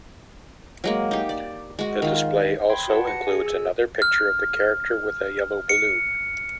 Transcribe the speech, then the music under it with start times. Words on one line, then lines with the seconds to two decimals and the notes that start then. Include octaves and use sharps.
The display also includes another picture of the character with a yellow balloon.
0.84 F#3 G#3 A#3
1.11 D#4 G4
1.29 D5
1.79 G#3 F#4
2.02 D#3 F4
2.69 G5 B5 C6 G#6
2.88 F#4 B4 F#5 A5
3.07 A#6 C#7
3.27 G#4 G#5
3.45 G#4 E6
4.02 F6
5.69 C#7